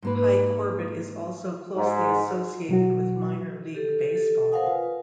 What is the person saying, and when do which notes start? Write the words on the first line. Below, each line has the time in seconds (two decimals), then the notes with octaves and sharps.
Hi Corbett is also closely associated with minor league baseball.
0.02 G#2 A#3 B4
1.75 G#2
2.69 B2 F#3 F#4
3.75 G4 A4
4.15 A4
4.51 A#4 C5 F5 F#5 G#5 D#6
4.67 F4 B4